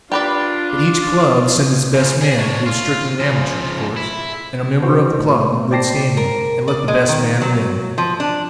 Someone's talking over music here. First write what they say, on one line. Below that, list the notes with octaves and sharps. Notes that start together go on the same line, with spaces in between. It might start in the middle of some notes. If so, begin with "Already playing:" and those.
"Let each club send its best man, who is strictly an amateur, of course, and a member of the club, in good standing, and let the best man win."
D4 F4 G4 B4 D5
C#3 F3
G#4
D4 C#5
F4
C#3 F3
E4
C#3 E3 F#4 C5
A2
C5 D5 G5 A5 A#6 C7
A#4
D5
G#3
D#3
F#3
F3
D4